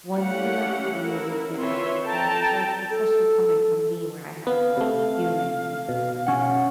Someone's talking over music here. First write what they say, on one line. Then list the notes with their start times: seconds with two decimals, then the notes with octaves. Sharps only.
once you, like, really get out of it, like, especially coming from me, where I had a whole human with this person,
0.14 A3 C#4 E4 G4 F5 F#5
1.03 E4 A#4
1.57 C4 F4 B4 C#5 E5 C6
2.04 A4 G5 A5 A#5
2.90 A4
4.47 B3 F5
4.77 C3 A3
5.89 B2
6.26 C#4 F#5